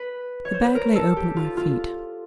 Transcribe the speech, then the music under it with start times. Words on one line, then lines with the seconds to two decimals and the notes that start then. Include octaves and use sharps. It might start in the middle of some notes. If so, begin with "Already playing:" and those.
The bag lay open at my feet.
Already playing: B4
0.45 C#5
0.54 C5
0.65 B4
0.75 A#4
0.95 A4
1.17 G4
1.37 F4
1.57 F4